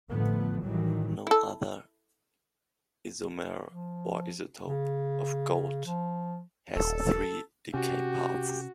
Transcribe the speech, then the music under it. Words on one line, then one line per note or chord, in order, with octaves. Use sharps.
No other isomer or isotope of gold has three decay paths.
A1 A2 D3 F3 A3 B3
A2 D#3 E3 F#3 G3
E4 A4
F3
C#3
F3
D#1 A4
C3 C#4 F#4 G4